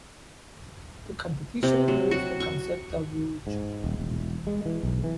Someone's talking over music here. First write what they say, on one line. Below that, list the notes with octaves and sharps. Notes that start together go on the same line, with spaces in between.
The competition used the concept of 'rouges'.
C3
F#3
F#4
C#6
G#2
D#1
E1
G#3
E3
B1
E3